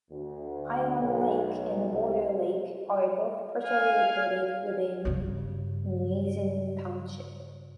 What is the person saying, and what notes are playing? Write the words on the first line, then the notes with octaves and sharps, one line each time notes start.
Island Lake and Boulder Lake are both partially located within Gnesen Township.
D2
B1
C2
F5 G#5
G2 C#3